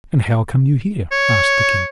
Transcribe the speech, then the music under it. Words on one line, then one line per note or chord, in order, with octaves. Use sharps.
"And how come you here?" asked the king.
C#5